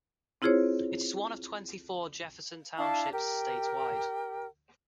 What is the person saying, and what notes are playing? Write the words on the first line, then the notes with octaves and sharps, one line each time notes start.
It is one of twenty-four Jefferson Townships statewide.
C4 E4 F4 G#4 C5 C#5
D4 E4 F5 A5
G4 A#4 G5